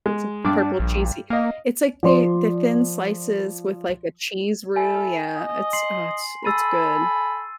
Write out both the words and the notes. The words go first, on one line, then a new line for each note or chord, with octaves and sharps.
T purple cheesy. It's, like, they, the thin slices with like a cheese roux, yeah, it's, uh, it's good.
G#3
G2 D4 D6
A#1
A#3 D#5 F5
F3 D5 C6
E4 A4 G#5
D#5
C6 C7 F#7
A4 G#5 B5 E6 A6 D#7